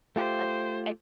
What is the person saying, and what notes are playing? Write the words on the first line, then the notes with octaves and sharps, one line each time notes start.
that's eh
A3 F4 G4 C5